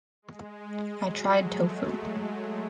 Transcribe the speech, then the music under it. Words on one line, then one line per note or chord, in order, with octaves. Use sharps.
I tried tofu.
G#3
F#3
A3